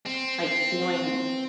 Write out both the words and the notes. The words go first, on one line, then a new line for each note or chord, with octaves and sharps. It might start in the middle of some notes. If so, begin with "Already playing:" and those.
like healing
C4